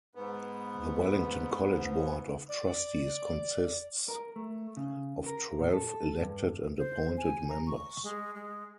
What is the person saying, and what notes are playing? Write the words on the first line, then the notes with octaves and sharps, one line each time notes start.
The Wellington College Board of Trustees consists of twelve elected and appointed members.
G#2 B3
D5
A#4
A3
C#3
A#4
A#2
A4
G2
C5
G#5
A#5
C#6
G#3
G#3